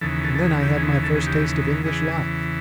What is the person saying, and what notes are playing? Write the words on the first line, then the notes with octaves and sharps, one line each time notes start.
And then I had my first taste of English life.
D#2 C#3 E3 A4
A4
A4
G#4
G4
G#4
G#4
A4
G#4
G4
E2 C#3 E3 G#4